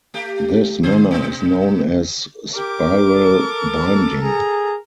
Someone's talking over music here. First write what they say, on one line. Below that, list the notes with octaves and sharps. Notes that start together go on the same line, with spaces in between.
This manner is known as spiral binding.
A3 G4
D3 C5
B2
G4 A#4 D6
A4
G#4 A#5